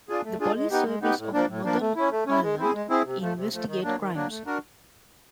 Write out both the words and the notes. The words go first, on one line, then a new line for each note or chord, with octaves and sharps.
The Police Service of Northern Ireland investigate crimes.
D4 F4 G#4
A3
D4 F4 G#4
G#3
B3 D#4 G4
G#3
B3 D#4 G4
A2
F3 A#3 D4
A2
F3 A#3 D4
A3
C#4 E4
A3
C#4 E4
G#3
C4 E4 G#4
G#3
C4 E4 G#4
C3
F3 A3
C3
F3 A3
D#3
F#3 A#3 D4
D#3
F#3 A#3 D4
A3
D4 F#4 A#4